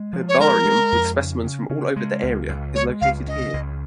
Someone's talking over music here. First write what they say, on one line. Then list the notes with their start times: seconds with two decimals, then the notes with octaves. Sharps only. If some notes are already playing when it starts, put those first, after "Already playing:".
Herbarium with specimens from all over the area is located here.
Already playing: G#3
0.13 F3
0.28 C#5
0.39 G#3 A#4
0.65 G#3
0.92 F2
1.18 C#3
1.44 C#3
1.70 C#3
1.96 G#3
2.23 C#2
2.49 C#2
2.75 G#3 C#5
3.01 C#2 F5
3.27 C#3 D#5
3.53 C#2